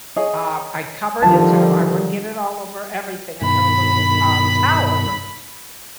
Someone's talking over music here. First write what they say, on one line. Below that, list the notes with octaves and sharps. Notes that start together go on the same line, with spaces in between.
Um, I covered it so I I wouldn't get it all over everything, I put a little, uh, towel over it.
G#4 C#5 D#5
D3 D#3 F3 G3 A5
G2 B2 D#3 B5